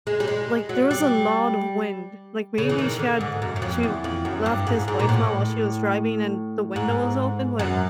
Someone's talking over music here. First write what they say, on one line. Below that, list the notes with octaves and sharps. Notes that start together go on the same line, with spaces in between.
like, there was a lot of wind, like, maybe she had she left this voicemail while she was driving and the window was open, like,
G#3
G3
G#3
F#3
G3
C#3
E3
D#3
D3
G#2
F#2
F#2
F2
E2
F2
F#2
G2
G#2
G#2
A#2
A2
G#2
F#2